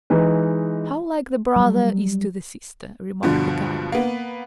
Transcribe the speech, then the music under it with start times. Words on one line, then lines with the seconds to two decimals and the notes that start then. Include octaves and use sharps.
"How like the brother is to the sister," remarked the count.
0.10 E3 G#3 D#4 B4
1.56 F#3 G3
3.23 G2 B2 D3 F3
3.92 A#3 B3